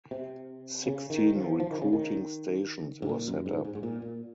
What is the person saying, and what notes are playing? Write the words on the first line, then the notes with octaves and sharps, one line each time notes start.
Sixteen recruiting stations were set up.
C3
C#3
D#3
F3
F3
D#3
C#3
D#3
G#2
A#2
F#2
G#2
G#2
G#2
A#2
A#2